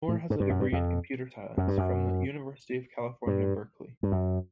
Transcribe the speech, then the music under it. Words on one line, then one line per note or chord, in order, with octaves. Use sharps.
Moore has a degree in computer science from the University of California, Berkeley.
A2
G#2
G2
F#2
G2
F2
F#2
G2
F#2
G2
G2
F#2